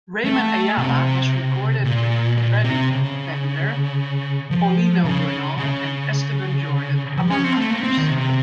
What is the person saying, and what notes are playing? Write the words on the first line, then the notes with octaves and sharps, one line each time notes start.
Ramon Ayala has recorded with Freddy Fender, Paulino Bernal and Esteban Jordan, among others.
A3
C3
A#2
A#2
C3
C#3
F3
C#3
C#3
F3
C#4
C4
A3
A#3
C4
D#3
C3